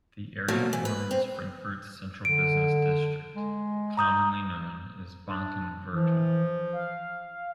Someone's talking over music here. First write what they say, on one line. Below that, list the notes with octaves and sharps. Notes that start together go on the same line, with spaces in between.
The area forms Frankfurt's central business district, commonly known as Bankenviertel.
B2 D3 F3 F#3 A3 A#3
E3
B4
C4
D3 D7
G#3
A#5 D#6 G6
D4
E3 F3
F5